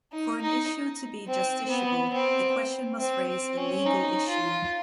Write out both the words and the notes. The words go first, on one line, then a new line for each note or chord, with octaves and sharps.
For an issue to be justiciable the question must raise a legal issue.
D#4
D#4
C4
B3
C4
C4
C4
C#4
D#4
F4